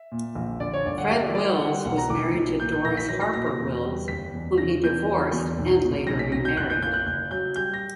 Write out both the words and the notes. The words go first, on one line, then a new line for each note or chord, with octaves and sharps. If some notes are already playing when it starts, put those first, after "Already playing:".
Fred Wills was married to Doris Harper-Wills whom he divorced and later remarried.
Already playing: E5
A#2
A#1
D3 D5
C#5
G1 D5
F#5
G3 E5
D5
G3 D5
F#5
G3 F#5
B1 F#5
A#5
B1 D6
B1
A#2 G6
G6
A#1 A#6
B6
F#3 A#6
A#6
A#2 A#6
A#6
E2
G3
F#1 B6
E2
C#3 A#6
E2 G6
F#3
E2
B1
A#2
B1 A#6
B6
B1 A#6
G6
F#1 F#6
G6
F#1 G6
F#6
F#1 G6
F#3 G6
G3 G6
A#6